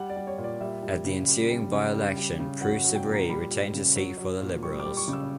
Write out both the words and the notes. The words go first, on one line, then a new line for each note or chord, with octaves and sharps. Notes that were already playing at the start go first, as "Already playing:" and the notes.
At the ensuing by-election, Prue Sibree retained his seat for the Liberals.
Already playing: G3 F#5
D5
G3
C#5
A#2
D5
G3 E5
G3
C#3
G3
G3
C#3
G3
G3
C#3
F#3 F#5
F#5
F#3
G5
A#2
A#5
G3 B5
G3
C#3
F#3
F#3
A#2
G3 C#6
D6
G3
C#6
C#3
E6